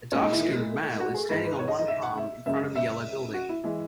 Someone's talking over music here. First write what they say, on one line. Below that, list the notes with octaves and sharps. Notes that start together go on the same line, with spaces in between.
A darkskinned male is standing on one palm in front of a yellow building.
A#2 G#3 C#4
D#4
E4
F#4
G#4
G#2 E3 G#3 B4
B4
C#5
D#5
D#5
E5
F#5
E5
F#2 C#3 G#3 E5
E5
F#4
E4
E3 G#3